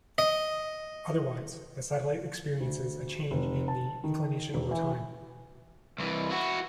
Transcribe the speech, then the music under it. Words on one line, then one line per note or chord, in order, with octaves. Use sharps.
Otherwise, the satellite experiences a change in the inclination over time.
D#5
D2
F1
A5
D#3
E1
E3
C2 E3
E4 F#4